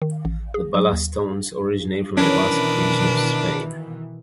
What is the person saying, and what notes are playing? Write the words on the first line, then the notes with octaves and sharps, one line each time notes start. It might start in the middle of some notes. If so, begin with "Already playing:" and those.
The ballast stones originate from the Basque region of Spain.
D#3
A1
G#4
F#3
D#2
B2 D#3 E3 C#4 D4 A#4 B4